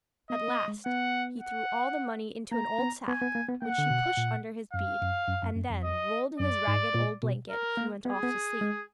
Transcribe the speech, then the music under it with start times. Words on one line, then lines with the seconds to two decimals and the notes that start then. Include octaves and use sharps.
At last he threw all the money into an old sack, which he pushed under his bead, and then, rolled in his ragged old blanket, he went off to sleep.
0.30 B3 D#5
0.48 B3
0.68 G#3
0.85 B3 F#5
1.41 F#5
2.52 A#3 A#5
2.79 B3
3.08 B3 G#5
3.21 B3
3.35 A#3
3.49 B3
3.62 A#3 F#5
3.78 D3
3.90 B2
4.17 A#2
4.73 F#2 F5
5.01 F#2
5.28 F#2
5.43 F#2
5.56 F#2
5.70 F2
5.84 D#5
6.39 F#2 D5
6.67 G#2
6.94 A#2
7.23 B2
7.50 A#4
7.77 A#3
8.05 B3 G#4
8.23 B3
8.61 G#3